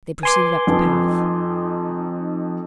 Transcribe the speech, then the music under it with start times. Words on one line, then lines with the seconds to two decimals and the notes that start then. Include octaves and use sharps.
They proceeded up the path.
0.23 B4 G#5 C6 D6
0.67 F2 F3 D#4